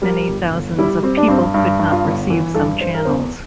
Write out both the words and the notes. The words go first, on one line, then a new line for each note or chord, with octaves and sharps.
Many thousands of people could not receive some channels.
G3 A#4
G1
G1
G3 E4
G3 C4
D4
G2 C4
G2
G2
F4
G1
E3
G2 A4
G2 C5
A#4
E2 C5